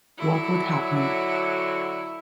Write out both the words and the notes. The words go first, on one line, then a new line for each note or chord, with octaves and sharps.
What would happen?
D3 F#3 E4